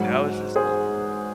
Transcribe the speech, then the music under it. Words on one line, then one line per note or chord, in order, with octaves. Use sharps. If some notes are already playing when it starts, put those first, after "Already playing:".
That was just culture.
Already playing: G#2 F#3
G#4 C5